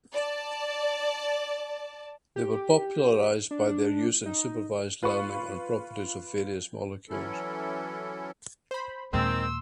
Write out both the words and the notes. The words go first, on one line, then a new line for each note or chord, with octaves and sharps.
They were popularized by their use in supervised learning on properties of various molecules.
D5 A5
G4
D4
D4
D#4
F4 B4 F5 C#6
E3 F#3 C#4 E4 A4
C5 B5
D#2 A#2 D#3 G#3 C4 C6 E6